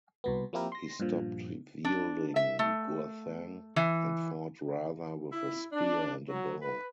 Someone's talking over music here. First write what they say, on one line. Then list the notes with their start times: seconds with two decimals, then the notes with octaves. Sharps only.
He stopped wielding Gurthang and fought rather with a spear and a bow.
0.24 C2 B2 B3
0.53 F3 A#3 C4 E4 G4 A#4
0.72 C6 A#6
1.00 G2 A#2 F3
1.85 D4
2.36 E5
2.59 A3
3.76 E3
5.32 E4
5.72 D4
6.29 F#3
6.62 B4